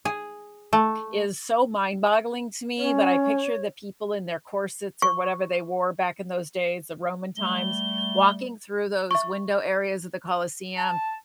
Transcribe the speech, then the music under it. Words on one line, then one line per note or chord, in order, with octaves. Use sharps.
is so mind-boggling to me, but I picture the people in their corsets or whatever they wore back in those days, the Roman times, walking through those window areas of the Colosseum,
G#4
A3
C#4 C#5
C#6
G3 A3 G7
E5 C#6
A5